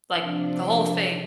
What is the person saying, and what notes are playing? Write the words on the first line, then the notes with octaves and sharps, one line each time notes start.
like, the whole thing,
C3 F3 D4